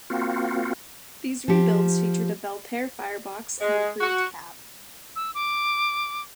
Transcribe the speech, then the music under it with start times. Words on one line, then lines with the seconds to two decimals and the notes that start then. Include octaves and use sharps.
These rebuilds featured a Belpaire firebox and improved cab.
0.10 A#3 C4 F4 F#4
1.48 F3 G4
3.60 G#3
4.00 F#4
5.16 E6
5.35 D6